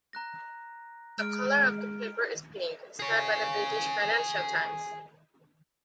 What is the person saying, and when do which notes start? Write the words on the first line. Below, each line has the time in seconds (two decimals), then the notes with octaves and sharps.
The color of the paper is pink, inspired by the British "Financial Times".
0.13 A#5 F#6 A#6
1.19 G#3 F6 D7
3.00 G#4 C#5